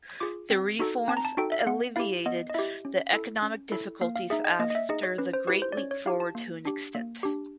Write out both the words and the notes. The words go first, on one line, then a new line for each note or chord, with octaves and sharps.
The reforms alleviated the economic difficulties after the Great Leap Forward to an extent.
F4 G#4 D6
C4
D#4 F#4 A4
C4 A5
A#5
A5
D#4 F#4 A4 G5
E5
F5
B3 F#5
E4 G4 F5
B3 D#5
D#5
E4 G4 E5
C#4
E4 A4
C#4
E4 A4
A#3 F5
F5
D#4 G#4 E5
D#5
A#3 D#5
D#5
E5
D#4 G#4 D#5
C#5
C#4 B4
C5
E4 G4 B4
C5
D5
C#4 C#5
C#5
E4 G4 F5
A5
A#3
D4 G4
A#3
D4 G4